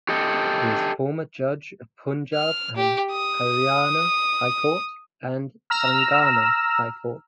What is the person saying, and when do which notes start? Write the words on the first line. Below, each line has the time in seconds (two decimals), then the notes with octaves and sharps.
He is former Judge of Punjab and Haryana High Court and Telangana High Court.
0.09 G4 A4 D#5
2.34 F6
2.76 G4
3.11 D#6
5.70 A#5 E6 F6